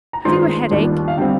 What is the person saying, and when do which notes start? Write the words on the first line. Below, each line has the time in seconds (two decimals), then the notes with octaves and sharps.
Have you a headache?
0.13 A#5
0.25 G2 D#3 G#3 D4 F4 C5 C6
0.71 D#2 D#3 G3 D4 F4
1.08 F5
1.17 D3 G3 C4 G5